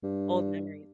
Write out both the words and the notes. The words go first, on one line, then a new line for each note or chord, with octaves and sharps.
old memories.
G2